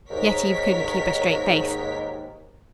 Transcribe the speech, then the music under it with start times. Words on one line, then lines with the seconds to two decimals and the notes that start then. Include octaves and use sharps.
Yetive couldn't keep a straight face.
0.10 D#2 G#2 A#4 C#5 B6